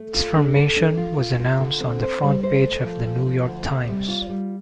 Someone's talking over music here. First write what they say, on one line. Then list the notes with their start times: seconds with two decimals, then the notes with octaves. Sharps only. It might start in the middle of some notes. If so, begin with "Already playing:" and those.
Its formation was announced on the front page of "The New York Times".
Already playing: A3
0.14 F4
0.36 D4
0.56 A4
0.76 D4
0.97 F4
1.18 F4
1.39 F4
1.59 D3
1.80 C4
2.02 C5
2.23 G3
2.43 C5
2.64 A3
2.84 F3
3.05 F3
3.26 F3
3.46 D2
3.68 C3
3.89 G3
4.08 F4
4.29 G3